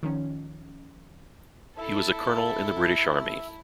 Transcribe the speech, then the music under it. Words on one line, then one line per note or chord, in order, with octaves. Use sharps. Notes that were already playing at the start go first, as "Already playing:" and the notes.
He was a Colonel in the British Army.
D#3 F3 C#4
E4 A4 E5